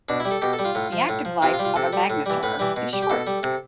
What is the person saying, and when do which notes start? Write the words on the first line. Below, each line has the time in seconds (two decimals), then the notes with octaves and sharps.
The active life of a magnetar is short.
0.09 B2 D4
0.20 E4
0.25 G3
0.31 A4
0.42 B2 G4
0.53 A4
0.59 G3
0.65 F4
0.75 A2
0.93 F3
1.09 A2
1.25 F3
1.42 C3 F4
1.53 F4
1.59 G3
1.65 F4
1.76 C3 A4
1.93 G3
2.10 A2
2.26 E3 G3
2.43 A2 B4
2.59 E3 G3
2.76 B2
2.93 G3
3.02 G4
3.10 B2 A4
3.27 G3
3.43 C3